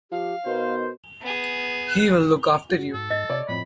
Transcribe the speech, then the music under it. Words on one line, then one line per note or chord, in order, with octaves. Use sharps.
He will look after you.
F3 G4 F5
B2 B3 D#4 A#4 C5
B3 G#4
F#4
G#2 A4
G#2 D#5
C3 C#5 D5
F2 A2 B5